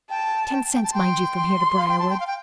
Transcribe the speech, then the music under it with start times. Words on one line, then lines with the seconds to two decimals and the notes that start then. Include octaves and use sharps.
Ten cents, mind you, from here to Briarwood.
0.10 G5 A5
0.52 G5
0.63 A5
0.73 G5
0.84 A5
0.94 G5 C6
1.36 C6
1.78 F5
1.89 G5
1.99 A5
2.10 G5
2.20 F5
2.27 G5